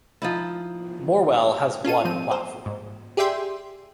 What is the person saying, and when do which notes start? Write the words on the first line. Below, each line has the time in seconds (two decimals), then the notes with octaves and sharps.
Morwell has one platform.
0.22 F3 D#4 E4
1.84 C#4 F4 A4 D#7
2.05 F3 C4 D#7
2.31 C5
2.66 G#2
3.17 G4 G#4 D5 E5 G5 C6